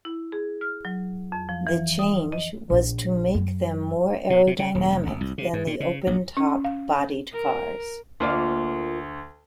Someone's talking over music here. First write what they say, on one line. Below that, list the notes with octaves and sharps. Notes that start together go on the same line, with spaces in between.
The change was to make them more aerodynamic than the open top bodied cars.
E4
G#4
F6
F#3
F2
F3
E3
D#6
D#5
A#1
F#2
B2
C3
C#3
D#1
F1
G#1
C2
C3
G#2
A#2
C#3
A#1
C#4
F5
A#4
D2 A#3 F4 D5